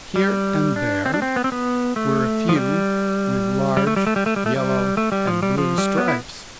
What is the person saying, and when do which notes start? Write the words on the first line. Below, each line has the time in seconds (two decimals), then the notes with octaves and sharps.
Here and there were a few with large yellow and blue stripes.
0.16 G3
0.76 D4
1.06 C4
1.14 D4
1.22 C4
1.36 B3
1.44 C4
1.52 B3
1.96 A3
2.49 F3
2.56 G3
3.77 G3
3.87 A3
3.96 G3
4.07 A3
4.16 G3
4.26 A3
4.36 G3
4.46 A3
4.56 G3
4.97 A3
5.12 G3
5.27 F3
5.43 G3
5.58 F3
5.78 G3
5.98 B3
6.08 E4